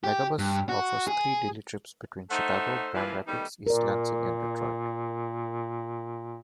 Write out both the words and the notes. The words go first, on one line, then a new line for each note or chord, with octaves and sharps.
Megabus offers three daily trips between Chicago, Grand Rapids, East Lansing, and Detroit.
G4
G2
F#4
G#4
A3 D#4 A4 C5 E5 F#5
E3 F3 A#3 E4 F4 B4
D#3 G3 A3 B3 D#4
A#2 A#4 D5